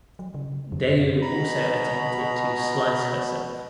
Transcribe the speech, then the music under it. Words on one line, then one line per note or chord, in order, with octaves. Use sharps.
Dayu also attempted to slice herself.
F#3
C#3
F#2
B2 A#5 B5